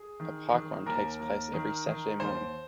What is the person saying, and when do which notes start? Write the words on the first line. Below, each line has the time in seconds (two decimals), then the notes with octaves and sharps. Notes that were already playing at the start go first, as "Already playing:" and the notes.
A Parkrun takes place every Saturday morning.
Already playing: G#4
0.20 D#3
0.53 D#3
0.86 D#2 A#4
1.20 D#2
1.53 D#3
1.87 D#3
2.20 D#2 C5